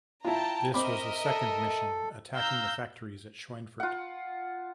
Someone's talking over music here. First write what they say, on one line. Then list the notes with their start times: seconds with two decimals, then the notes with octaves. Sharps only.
This was the second mission attacking the factories at Schweinfurt.
0.25 E4 F4 G5 A5 A#5
0.74 C4 A#4 D#5 E5 B5 D6
1.25 A4
2.34 F5 A#5 E6 G6
3.80 F4 F#5